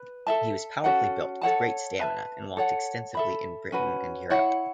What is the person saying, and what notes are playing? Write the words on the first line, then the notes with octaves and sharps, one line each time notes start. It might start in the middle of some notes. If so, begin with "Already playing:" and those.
He was powerfully built, with great stamina, and walked extensively in Britain and Europe.
Already playing: B4
A4 E5 A5
C#4 F#4 A4 F#5
A4 C#5 F#5 A5
B4 E5 A5
A4 C#5 F#5
A4 E5 B5
C#4 F#4 B4
E4 C#5 F#5